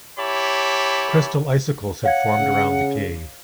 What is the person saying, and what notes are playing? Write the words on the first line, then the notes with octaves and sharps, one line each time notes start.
Crystal icicles had formed around the cave.
E4 G4 C#5 A5 B5 D6
C#5 F5 F#5 G#6
C#3